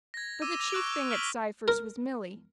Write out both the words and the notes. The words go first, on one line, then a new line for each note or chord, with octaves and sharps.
But the chief thing at Cypher's was Milly.
G#6 A#6
D6 E6 D#7
D6 A#6 F7 G7
C#6 E6 F#6 A#6 D7
E6
F6 F#6 B6 D7 F#7 G7
A#4